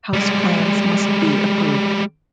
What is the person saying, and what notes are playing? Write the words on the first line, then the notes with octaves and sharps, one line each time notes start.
House plans must be approved.
G3 G#3